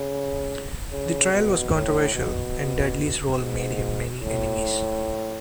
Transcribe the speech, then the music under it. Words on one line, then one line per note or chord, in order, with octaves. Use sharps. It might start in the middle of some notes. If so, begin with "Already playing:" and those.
The trial was controversial, and Dudley's role made him many enemies.
Already playing: C#3
C#3
B2
A2
B2
G#2
A2